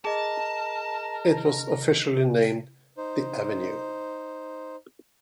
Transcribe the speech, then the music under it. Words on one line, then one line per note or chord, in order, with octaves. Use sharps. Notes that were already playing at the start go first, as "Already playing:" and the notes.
It was officially named The Avenue.
G#4 A#4 D#5 A5
D#4 C5